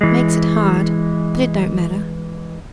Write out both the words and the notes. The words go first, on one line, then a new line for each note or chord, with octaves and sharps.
Makes it hard; but it don't matter.'
E3 G#3